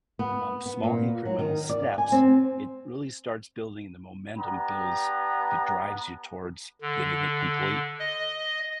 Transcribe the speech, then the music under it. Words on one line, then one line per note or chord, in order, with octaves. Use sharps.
um, small incremental steps, it really starts building the momentum builds that drives you towards getting it complete.
B3
B3
A#2
F#3
D#3
D5
G#5
C4
B3 D4 G4 A#5
D3
D#5